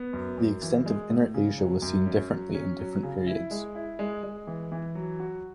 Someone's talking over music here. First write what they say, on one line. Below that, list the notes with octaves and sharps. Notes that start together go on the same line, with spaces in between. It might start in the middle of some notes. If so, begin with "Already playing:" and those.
The extent of Inner Asia was seen differently in different periods.
Already playing: B3
F#2
F#2
E3
G#3
A2
C#3
F#3
F#2
C#4
F#3
C#4
F#3
C#3
E4
G#3
E4
G#3
G#3
E3
E3
F#3
F#4